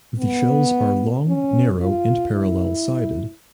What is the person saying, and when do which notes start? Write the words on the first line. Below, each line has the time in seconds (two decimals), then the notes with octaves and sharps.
The shells are long, narrow, and parallel-sided.
0.19 B3
1.27 C#4
1.82 F4
2.35 E4